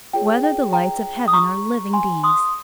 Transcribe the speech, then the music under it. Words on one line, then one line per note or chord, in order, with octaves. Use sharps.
Whether the Lights of Heaven Are Living Beings?
F4 G#4 C#5 G5
G5
G5 A#5
D#6
A#5 C#6
G#5 C6
C6 D#6